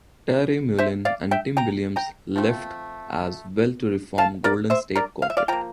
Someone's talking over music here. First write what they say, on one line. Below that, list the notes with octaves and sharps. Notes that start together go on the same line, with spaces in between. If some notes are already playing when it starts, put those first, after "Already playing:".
Terry Mullin and Tim Williams left as well to reform Golden State Quartet.
C5 E5
D5 F5
E5 G5
G5 A#5
G5 A#5
F3 A3 C4
F5 A5
A#4 D5
C5 E5
A#4 D5
F5
E5
D5 F5
F3 A#3 G5 A#5